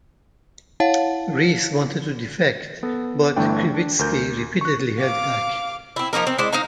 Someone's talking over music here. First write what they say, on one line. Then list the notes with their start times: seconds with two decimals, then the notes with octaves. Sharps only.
Reiss wanted to defect, but Krivitsky repeatedly held back.
0.80 E4 C#5 F5 F#5 A5
2.83 B3 A4
3.36 G1 E3 A3 D4 G5
3.74 D4
3.99 D2 A#4 G6
4.61 C#6 F#6
5.02 F5 D6
5.96 C4 E4
6.13 F3 A#3 D#4 A#4
6.27 C4
6.38 G#3 E4 C5 D5
6.52 D#4 C5 F5 A#5